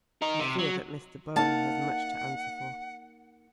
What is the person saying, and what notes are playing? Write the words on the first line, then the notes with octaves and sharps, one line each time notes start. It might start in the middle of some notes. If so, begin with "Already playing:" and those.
We fear that Mr. Bohn has much to answer for.
D#4 A#4
C3
F#3
A#3 D#4 F5 F#5 A5